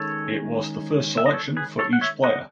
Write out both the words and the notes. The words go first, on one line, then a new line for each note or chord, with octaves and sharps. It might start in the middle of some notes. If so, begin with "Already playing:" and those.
It was the first selection for each player.
Already playing: D#3 G#3 C#4 A4 C#5
E5
D#5
A4 C#5
G#4 B4
A4 C#5
F#5
C#5 E5
D#5 F#5